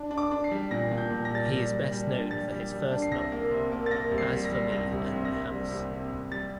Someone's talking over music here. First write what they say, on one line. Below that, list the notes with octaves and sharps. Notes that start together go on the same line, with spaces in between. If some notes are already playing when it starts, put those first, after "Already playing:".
He is best known for his first novel, "As For Me and My House".
Already playing: D4
D4
D6
D4
C7
G3
A#2 A#6
A#2
G6
A#2
A#6
G3 A6
A#6
G3
G3
G3
D4
G3 A6
G3
G3
D4
C7
C2 A#6
A#3
C3
A#3
A6
A#3 A#6
C2
C7
G3
A#6
G3
C2 A#6
C2
C3
A#6
C2
G3
C2
C3
C2
G3 A6